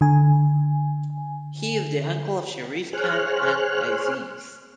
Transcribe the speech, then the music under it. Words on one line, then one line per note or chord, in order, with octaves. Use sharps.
He is the uncle of Sharif Khan and Aziz.
D3 G#5
G#4 C5 C#5 F6 F#6